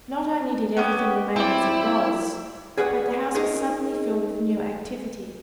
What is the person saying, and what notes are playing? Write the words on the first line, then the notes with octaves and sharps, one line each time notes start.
Not only did everything remain as it was, but the house was suddenly filled with new activity.
B3 C#4 G4
C4 E4 D5
G#4 B4 C#5 D5 F#5 G#5
C#4 D#4 G#4 A#4 C#5 D#5